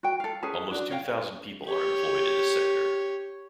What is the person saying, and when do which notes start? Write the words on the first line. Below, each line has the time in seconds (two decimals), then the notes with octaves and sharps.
Almost two thousand people are employed in this sector.
0.03 F#4 G5
0.20 A4 F5
0.43 C#4 G#4 B4 A5
0.71 D4 F#4
0.91 C#5 F5 G5
1.65 G4 C#5